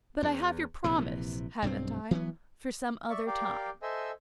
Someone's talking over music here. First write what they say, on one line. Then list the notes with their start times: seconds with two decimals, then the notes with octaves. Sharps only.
"But I have your promise--haven't I?--for some other time."
0.23 E2
0.84 A#1 C3 E3
1.62 B1 G2 F#3 C4
2.11 E3 F#3 B3
3.10 D5 E5 C#6
3.27 G4 A#4 D5 F5 G5
3.82 A4 C5 D#5 E5 G#5 E6